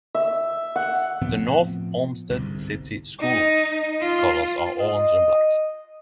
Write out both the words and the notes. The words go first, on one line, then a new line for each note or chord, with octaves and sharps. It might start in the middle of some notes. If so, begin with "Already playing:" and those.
The North Olmsted City School colors are orange and black.
E5
F#5
A2 F3 B3 C4
G1 C2 G#2
D#4
F4
D#5